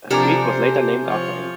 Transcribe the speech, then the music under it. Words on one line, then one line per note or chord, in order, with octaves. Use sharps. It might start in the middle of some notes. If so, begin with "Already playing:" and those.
A street was later named after him.
C3 F3 D4 G4 A4 A#4 G#5 D6
C5
F3 C#5